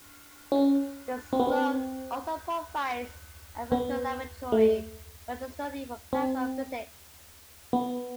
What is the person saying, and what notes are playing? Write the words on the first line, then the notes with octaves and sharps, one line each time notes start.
The Sun also provides a "physical laboratory" for the study of plasma physics.
C#4
C4
B3
C4
B3
A3
C4
B3